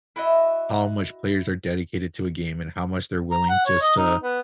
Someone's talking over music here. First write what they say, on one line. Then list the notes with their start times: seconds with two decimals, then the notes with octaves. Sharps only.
how much players are dedicated to a game, and how much they're willing just to
0.16 E4 F#4 D#5 E5
3.31 A#5
3.49 F#5
3.66 C#5
3.81 D#5
3.97 D#4
4.23 B3